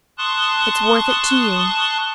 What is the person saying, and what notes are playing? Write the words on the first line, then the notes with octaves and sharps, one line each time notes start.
It's worth it to you.
A5 C6 C#6 D#6 F#6